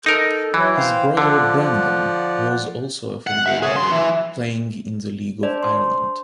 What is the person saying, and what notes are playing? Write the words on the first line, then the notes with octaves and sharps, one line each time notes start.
His brother Brendan was also a footballer, playing in the League of Ireland.
D#4 A4 A#4
E3 F#3 E4
C5 F5 G5
D3 F3 D5 F#5
F#5
E5 F#5
G#4 C#5
F#2 C6
E3
D4 C5 D5
C6